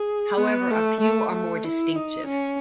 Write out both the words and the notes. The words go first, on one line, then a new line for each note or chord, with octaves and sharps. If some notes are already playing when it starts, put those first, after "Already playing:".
However a few are more distinctive.
Already playing: G#4
B3
A3
A3
A3
E4
D#4
C#4